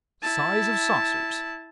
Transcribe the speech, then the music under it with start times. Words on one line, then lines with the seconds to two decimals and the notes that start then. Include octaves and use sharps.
Size of saucers.
0.22 E4 A5